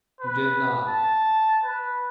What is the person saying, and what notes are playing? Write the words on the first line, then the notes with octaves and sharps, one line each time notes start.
You did not!
B4
A5
B4